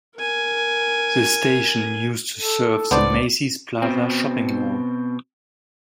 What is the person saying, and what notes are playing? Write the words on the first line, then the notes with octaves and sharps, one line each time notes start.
The station used to serve the Macy's Plaza shopping mall.
A#4 G#5
A4
C#2 B3 D4 C5 D5
B2 C4